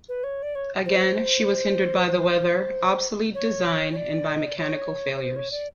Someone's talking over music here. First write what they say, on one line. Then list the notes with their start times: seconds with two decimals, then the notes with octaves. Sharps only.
Again, she was hindered by the weather, obsolete design, and by mechanical failures.
0.09 B4
0.24 C#5
0.43 D5
0.55 C#5
0.86 C5
3.35 C#5
3.92 C#5
3.96 D5
4.34 D#5
4.46 D5
4.58 C#5
5.15 C#5
5.21 C5
5.36 C#5
5.51 D5